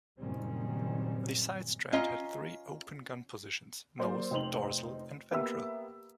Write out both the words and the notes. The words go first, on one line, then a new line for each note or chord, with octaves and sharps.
The Sidestrand had three open gun positions; nose, dorsal and ventral.
F#1 A#2 D#3 G3 C4 C#4
C#4 F4 D#5 A#5
F#3 A#3 C5 D5
F1 D#4 C5 F7 F#7
A#3 B3 G4 E5 B5 E6